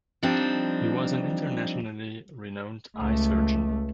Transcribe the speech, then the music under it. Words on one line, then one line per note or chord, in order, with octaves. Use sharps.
He was an internationally renowned eye surgeon.
F3 G3 C4 D4 D#4
C#2 A3